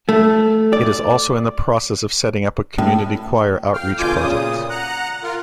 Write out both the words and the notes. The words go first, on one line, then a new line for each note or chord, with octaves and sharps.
It is also in the process of setting up a community choir outreach project.
A3
D5
A2
F2 F5 G5 F6
B2 D3 F4 G#5 D6 G6
A#2 C#3 D#6
F#5 A#5 F#6
F4 A#4